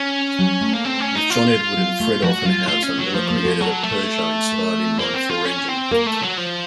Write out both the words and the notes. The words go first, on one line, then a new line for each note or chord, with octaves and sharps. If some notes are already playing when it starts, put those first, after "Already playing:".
With John Edward and Fred Offenhauser, Miller created a Peugeot-inspired inline-four engine.
Already playing: C#4
F#3
A3
A#3
C4
C#4
D#4
F4
F#3
A3
F3 F#4
F#3 F4
A3 F4
C#4
F#3
F3 A3
A#3
F#4
F#3 A4
A3
A#4
A#3 C5
C4
F4
C#4
C4
A#3 A#4
A3
F#3
F3